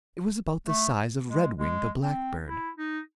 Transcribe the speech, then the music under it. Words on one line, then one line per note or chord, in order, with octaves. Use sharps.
It was about the size of Redwing the Blackbird.
A3
G#3
G#3
C4
E4
D#4